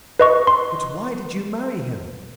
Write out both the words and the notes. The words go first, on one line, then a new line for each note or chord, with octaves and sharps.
"But why did you marry him?"
B4 D#5 C#6
C6